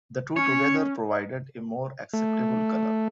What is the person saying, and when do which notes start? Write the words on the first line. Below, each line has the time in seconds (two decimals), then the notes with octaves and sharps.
The two together provided a more acceptable color.
0.36 C#4 C#5
2.13 A3